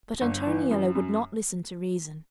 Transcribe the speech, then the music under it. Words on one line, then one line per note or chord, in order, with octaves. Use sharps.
But Antoniello would not listen to reason.
G1
E3
F#2
F#2